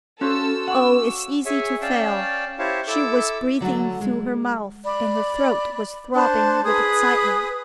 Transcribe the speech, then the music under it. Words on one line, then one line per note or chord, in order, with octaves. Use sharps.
"Oh, it's easy to fail!" She was breathing through her mouth and her throat was throbbing with excitement.
C#4 F#4 A4 C5 F5 E6
C#4 F#5 C#6 D6 E6
G#4 C#5 E5 G#5
C#4 D5 F5 G5 A5
E4 G4 C5 C#5 F5 A5
E4 A4 D6 E6
D3 F#3 G3 A3
G#3
D5 B5
D4 C5 A5 F#6
G#4 B4 D#6